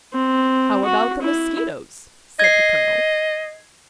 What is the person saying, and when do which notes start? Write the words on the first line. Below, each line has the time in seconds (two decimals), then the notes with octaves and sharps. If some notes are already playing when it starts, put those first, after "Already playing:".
"How about the Mosquitoes!" said the colonel.
0.13 C4
0.85 F#4
1.22 E4
2.39 D#5 G#6 C7